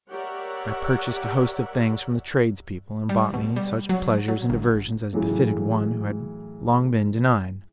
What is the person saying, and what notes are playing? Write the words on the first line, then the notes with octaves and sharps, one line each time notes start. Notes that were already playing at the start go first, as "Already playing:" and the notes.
I purchased a host of things from the tradespeople, and bought me such pleasures and diversions as befitted one who had long been denied.
G4 A#4 C#5 D5 E5 F#5
G3
B2
G3
F#3
F#3
G1
A2 C#3 E3 F#3 A3